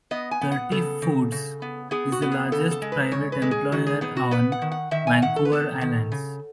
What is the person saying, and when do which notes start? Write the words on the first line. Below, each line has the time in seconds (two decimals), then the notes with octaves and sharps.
Thrifty Foods is the largest private employer on Vancouver Island.
0.11 B3 D#5
0.31 G#5
0.41 B3
0.52 F#5
0.72 C#3 A4
1.02 C#3
1.32 C#3
1.62 B3
1.91 B3 G#4
2.12 F#4
2.22 B3
2.32 G#4
2.52 C#3 A4
2.71 A4
2.82 G#3
2.92 B4
3.12 C#3 C#5
3.32 B4
3.42 G#3 A4
3.51 G#4
3.72 D#3 F#4
3.87 G#4
4.01 B3 G#4
4.17 F#4
4.31 B3 B4
4.52 F#5
4.62 D#3
4.72 F#5
4.91 D#3 E5
5.07 G#5
5.22 D#3 F#5
5.36 A4
5.45 B4
5.52 B3 A4
5.81 D#3
6.12 C#3